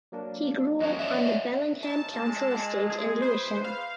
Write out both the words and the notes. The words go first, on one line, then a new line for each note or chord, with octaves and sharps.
He grew up on the Bellingham council estate in Lewisham.
F#3 A#3 D4
F2 C#4 D#5 F#6
C#5 D5 E5
F#2 C#4 D#4 A5
A#2 G#3
G#4
E2 B4 C5
F5